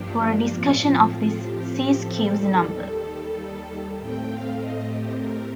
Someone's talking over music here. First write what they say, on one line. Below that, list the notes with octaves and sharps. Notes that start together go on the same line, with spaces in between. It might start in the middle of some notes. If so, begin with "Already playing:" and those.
For a discussion of this, see Skewes' number.
Already playing: G2 F3 A#3 D4 G4
A2 F3 C4 F4
G4
G4
A4
D#2 D#3 G3
A2 A3 C4 G5
F5
D#5
G4
A#4